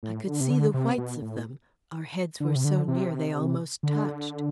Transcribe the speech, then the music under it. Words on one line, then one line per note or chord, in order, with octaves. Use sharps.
I could see the whites of them; our heads were so near they almost touched.
A2
D3
C3
D3
C3
B2
A2
D3
C3
D3
C3
D3